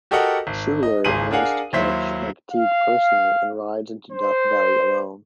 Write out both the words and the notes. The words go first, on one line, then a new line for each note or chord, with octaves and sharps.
Schouler wants to catch McTeague personally and rides into Death Valley alone.
F#4 G4 A4 A#4 D#5 F#5
G#1
D#5
G#1 C#2 G#4 C6 D#7 F#7
D4 G#4 A#4 F5 F#5 G#5
D#2 F#3 E4 C5 B6
F5
C5